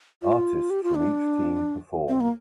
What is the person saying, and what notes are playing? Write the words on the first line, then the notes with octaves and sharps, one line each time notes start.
Artists from each team performed.
F4
G4
F4
D4
C4
A#3